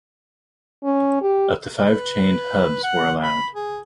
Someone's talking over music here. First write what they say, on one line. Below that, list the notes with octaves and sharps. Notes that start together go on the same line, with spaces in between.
Up to five chained hubs were allowed.
C#4
G4
B4
F#5
B5
G#4